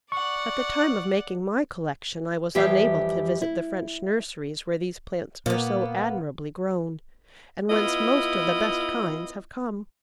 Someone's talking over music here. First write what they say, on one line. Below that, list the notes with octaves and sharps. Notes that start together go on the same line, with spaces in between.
At the time of making my collection I was unable to visit the French nurseries where these plants are so admirably grown, and whence most of the best kinds have come.
D5 F#5 C#6
F2 E3 G3 G4 E5 F5
E4
A#2 A#3 B3
B3 E4 F4 D#5